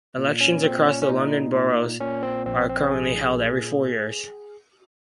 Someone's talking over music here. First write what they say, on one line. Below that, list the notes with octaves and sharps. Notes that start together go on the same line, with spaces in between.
Elections across the London Boroughs are currently held every four years.
A#2
C#4
A#2 C4
C#4
C#4
A#2 D#4
A#2
A#2 C#4
C4
A#1 C4
C4
A#1 G#4
A#2